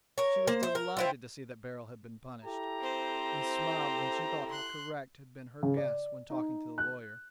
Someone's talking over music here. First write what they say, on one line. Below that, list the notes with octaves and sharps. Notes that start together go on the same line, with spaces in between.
She was delighted to see that Beryl had been punished, and smiled when she thought how correct had been her guess when talking to the lawyer.
A#4 C#5
A#3 C5
C5 E5
A#4
C4 E4 F4
E4 G4 A4 A#5
C4 C5
C6 F#6
C#3
D5
D#4
F#6